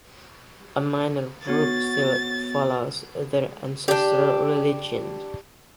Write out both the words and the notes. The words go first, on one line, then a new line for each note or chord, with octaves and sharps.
A minor group still follows their ancestral religion.
B3 F#4 C#5 A6
D4 G4